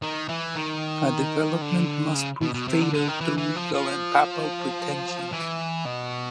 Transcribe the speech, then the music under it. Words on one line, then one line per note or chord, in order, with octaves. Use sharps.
A development must prove fatal to regal and papal pretensions.
D#3
E3
D#3
D3
C#3
B2
B2
C3
D3
D3
D#3
E3
E3
F3
F3
E3
B2